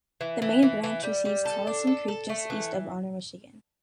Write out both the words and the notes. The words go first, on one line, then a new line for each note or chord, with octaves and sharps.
The main branch receives Collison Creek just east of Honor, Michigan.
E3
E3
E3
E3
G3
G3
A4
D4
A4
A4
A3
E3